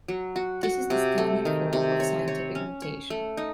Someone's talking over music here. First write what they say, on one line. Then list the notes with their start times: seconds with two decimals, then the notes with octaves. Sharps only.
This is the "standard form" of scientific notation.
0.08 F#3
0.36 F#4
0.63 F#4
0.90 C3
1.18 A3
1.45 D#3
1.73 C3
2.00 C#5
2.28 C#5
2.55 C#4
2.82 C#5
3.10 A3
3.37 D#4